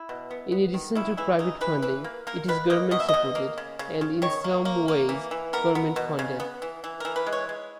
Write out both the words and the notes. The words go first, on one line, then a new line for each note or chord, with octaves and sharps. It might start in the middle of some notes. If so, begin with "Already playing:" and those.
In addition to private funding, it is government-supported and in some ways government-funded.
Already playing: E4
B2
B3
B3
D#3
C#3 E4
E3 E4
C#3 D#4
E3 B4
E3 B4
A#3
A#3 A#4
D#3 B4
A#3 D#5
B2 D#5
E5
D#5
B2
A#3
C#3
C#3
C#3
D#3 C#5
A#3
A#3
A#3
E3
E3
B3 A#4
B3
B2
C#3
B3
E3
E3
E3 A#4
B4
G#3
C#5
G#3